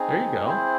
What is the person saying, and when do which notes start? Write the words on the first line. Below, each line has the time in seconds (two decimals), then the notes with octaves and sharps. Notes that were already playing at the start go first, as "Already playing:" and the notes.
There you go.
Already playing: C4 D#4 G#4
0.45 C4 E4 G#4 C5